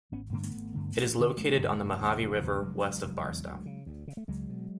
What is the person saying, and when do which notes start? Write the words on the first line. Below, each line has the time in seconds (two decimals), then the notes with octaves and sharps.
It is located on the Mojave River, west of Barstow.
0.12 G#1 B3 C#4
0.33 G2 D3 A#3 C4
0.43 A3 B3
0.54 G#1
0.75 G2 D3
0.95 A1
1.17 G2 D3
1.37 A1 G#3 A#3
1.58 G2 D3
1.79 F1
2.00 D#2 C#3
2.20 F1
2.27 E3
2.36 F3
2.41 D#2 C#3 F#3
2.53 G3
2.62 F1 F#3 G#3
2.83 E2 C#3
3.03 F1
3.24 E2 C#3
3.45 D2
3.66 C#3
3.86 D2
4.08 C#3
4.17 A3
4.28 C#2 F#3 G#3
4.49 B2